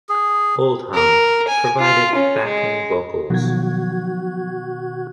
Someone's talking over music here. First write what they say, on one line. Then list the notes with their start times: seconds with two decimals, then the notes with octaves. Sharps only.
Oldham provided backing vocals.
0.09 G#4
0.94 A#4
1.48 G#5
1.79 F4
2.15 C#4
2.44 G#3
3.30 B2 D#3 F3 F#3 F#4 G#6